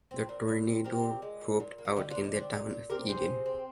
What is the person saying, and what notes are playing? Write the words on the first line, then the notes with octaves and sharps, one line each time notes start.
The tornado roped out in the town of Eden.
C4
A#2
A#2
C4
C4 G4 A#4
A#2
G#3
A#2
A#2
A#3
F4
D3 D#4 G4
D4 F4
D3
D#4
C4
D4
A#2 D#4
A#2
C4 G4 A#4
C3 G#4 C5
C3
C4